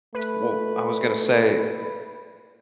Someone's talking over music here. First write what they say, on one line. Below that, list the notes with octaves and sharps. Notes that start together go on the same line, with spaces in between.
Well, I was gonna say
A3 B4